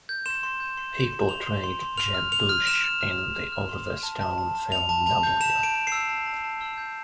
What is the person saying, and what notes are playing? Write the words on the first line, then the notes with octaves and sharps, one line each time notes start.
He portrayed Jeb Bush in the Oliver Stone film "W".
G6
C6 E7
C6
G6
C6
C6 E7
C6
C6 F7
C6
C6
C6
F6 F7
F6
C6 F7
F6
F6 E7
F6
F6
F6
F6
F6
C6
F6
A5
A5
A5
A5
A5 F7
A5
A5 F7
G6
A5 E7
G6
D7
A5
E6 C7
A5
A5
A5
E6
G6